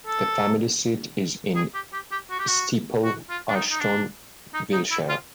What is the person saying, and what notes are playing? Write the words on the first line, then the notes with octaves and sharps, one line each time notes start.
The family seat is in Steeple Ashton, Wiltshire.
A4
G#4
G4
G4
G4
F#4
G4
F#4
F#4
F4
D4
D#4
D#4
D4
D#4
D#4
E4
F4